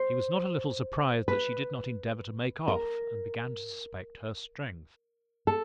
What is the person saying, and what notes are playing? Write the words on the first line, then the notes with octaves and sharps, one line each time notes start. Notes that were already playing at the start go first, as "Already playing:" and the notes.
He was not a little surprised that she did not endeavor to make off, and began to suspect her strength.
Already playing: C5
B4
A#4
A4